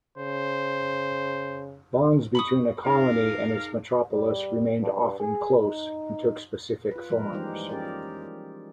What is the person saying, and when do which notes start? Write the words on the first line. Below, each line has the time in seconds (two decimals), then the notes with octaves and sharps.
Bonds between a colony and its metropolis remained often close, and took specific forms.
0.18 C#3 C5
2.35 B5 C#6 D#6
2.85 D#4 G#4 A#4 F5
4.13 G3
4.81 G2
5.20 G#4
5.61 D#4
6.91 F4 B4
7.10 F3 G#3 A#3 A#4
7.32 E3 G3 G#3 D#4 G4 C5
7.69 C#4 G4 G#4 A#4 D5
7.82 F4 G4